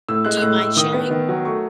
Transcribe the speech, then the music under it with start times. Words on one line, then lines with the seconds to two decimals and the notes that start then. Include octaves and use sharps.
do you mind sharing?
0.08 A2 E6
0.25 G#3 F#6
0.37 F#6
0.42 A2 E6
0.59 A2 E6
0.77 D#3 D#6
0.94 B3
1.11 D#3
1.29 F#3
1.45 A3 C#6